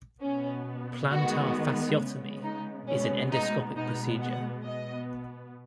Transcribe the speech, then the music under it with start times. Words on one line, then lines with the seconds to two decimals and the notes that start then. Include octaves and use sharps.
Plantar fasciotomy is an endoscopic procedure.
0.21 B2 B3 C#4
1.10 D#3 G#3 B3 F#4
1.99 C#3 G#3 B3
2.43 D#4
2.87 B2 G#3 B3 C#4
3.32 D#4
3.76 B2 G#3 B3 D#4
4.21 F#5
4.64 B2 B3 D#5